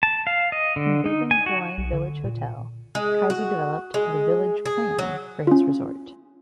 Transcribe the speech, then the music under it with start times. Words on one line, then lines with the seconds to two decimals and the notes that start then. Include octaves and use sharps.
In building the Hawaiian Village Hotel, Kaiser developed the "village plan" for his resort.
0.03 A5
0.27 F5
0.52 D#5
0.76 D3
1.06 D#4
1.31 G#5
1.46 F#4
1.78 B1
1.93 D3
2.24 A#2
2.95 G#3
3.30 F#4
3.94 G#3
4.65 G#4
4.99 F#3
5.47 C#4 F4